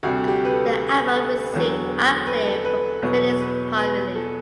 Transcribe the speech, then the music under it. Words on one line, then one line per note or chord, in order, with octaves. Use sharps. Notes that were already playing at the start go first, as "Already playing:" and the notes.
The album received acclaim from critics upon release.
D2 C3 G3 F#4
G4
B4
A4
A4
E1 E2 D3 F#3
B4
A4
B4
E2 B2 F#3 B4
B4
B4
A4